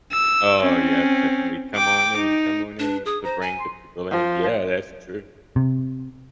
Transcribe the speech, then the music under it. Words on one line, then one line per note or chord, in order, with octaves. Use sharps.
Oh, yep, definitely, "Come on in come on in to bring the people in." Yeah, that's true.
E6
C4 C#4
G5 D6
D#4
D4 B4
G#4 D#6
C5 A#5
G#5
C6
F3
C3